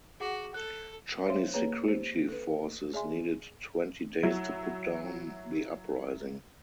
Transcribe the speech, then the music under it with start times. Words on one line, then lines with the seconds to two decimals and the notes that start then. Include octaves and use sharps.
Chinese security forces needed twenty days to put down the uprising.
0.20 F#4 G#4 F#5 D6
0.54 A4 F#6
1.27 C5 C#5 E5 F5 C6
1.54 A#3 G#4 B4 C#5 A#5
1.88 G4 C5
2.28 A4 B4
2.94 G#4 D5 E5 G#5 C6
4.23 F#3 E4